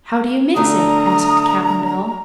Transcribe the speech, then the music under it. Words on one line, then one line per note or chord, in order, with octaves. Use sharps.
"How do you mix it?" asked Cap'n Bill.
D3 A3 D4 A#5 D#6